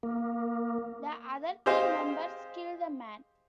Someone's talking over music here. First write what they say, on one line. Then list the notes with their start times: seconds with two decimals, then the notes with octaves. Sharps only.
The other team members kill the man.
0.03 A#3
1.66 G4 G#4 C5 D#5 F5